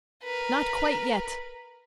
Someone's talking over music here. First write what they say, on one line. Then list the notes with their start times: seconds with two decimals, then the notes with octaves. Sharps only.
Not quite yet.
0.23 A#4 B4